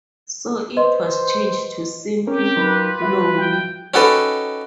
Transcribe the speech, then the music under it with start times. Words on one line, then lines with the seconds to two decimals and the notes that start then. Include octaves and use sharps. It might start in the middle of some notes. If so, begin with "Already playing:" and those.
So it was changed to simply "Loni".
0.77 B4 C5 D#5 C6
2.27 C4 C#4 G4 A#4
2.57 F#3 D#4 F4 A#4 B4
3.02 G3 F#4 E5
3.37 G5
3.94 C#4 D#4 F#4 G4 A4 B4